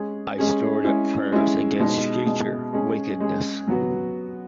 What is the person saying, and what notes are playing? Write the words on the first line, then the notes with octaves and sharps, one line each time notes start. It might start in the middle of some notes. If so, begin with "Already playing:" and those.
I stored up prayers against future wickedness.
Already playing: G#3 C#4 G#4
G#3 C#4 G#4
G#3 C#4 E4
G#3 C#4 E4
B2 G#3 D#4
B2 G#3 D#4
G#3 C#4 G#4
G#3 C#4 G#4
F#3 B3 F#4